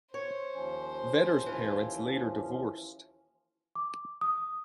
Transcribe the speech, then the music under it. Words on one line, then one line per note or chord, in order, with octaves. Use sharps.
Vetter's parents later divorced.
C5 C#5
D#2 F3 C#4
E3 F4
D6
D#6